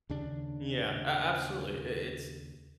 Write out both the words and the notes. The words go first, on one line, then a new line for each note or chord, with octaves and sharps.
Yeah, a absolutely, i it's,
D#2 C#3 D4